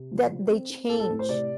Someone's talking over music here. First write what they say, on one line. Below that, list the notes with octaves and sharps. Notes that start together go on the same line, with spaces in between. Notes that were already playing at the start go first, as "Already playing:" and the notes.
that they change
Already playing: C3
F3
F3
C4
C4
A2 A4
A4
A2
C5
C3 D5